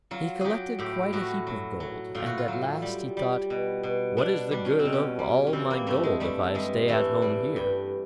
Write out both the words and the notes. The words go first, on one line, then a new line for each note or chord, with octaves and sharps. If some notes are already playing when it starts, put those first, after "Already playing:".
He collected quite a heap of gold, and at last he thought: 'What is the good of all my gold if I stay at home here?
F#3 F4
F#3 G4 G#4
A2 G4
A2 F#4
F#3
F#3
A2 F4
F#4
F4
F#3
G3
G3
B2
B2
B2 D4
G3 D4
C#4
C4
B2
C#4
G3
C#4
E3 C4
A#3
G2 A3
G#3
G3 A3
G2 G#3
E3 A3
G3
G2